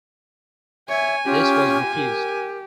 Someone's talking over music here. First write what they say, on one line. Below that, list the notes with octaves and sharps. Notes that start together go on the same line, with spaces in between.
This was refused.
C#5 E5 G#5
C#4 F4 G4
G4 A#4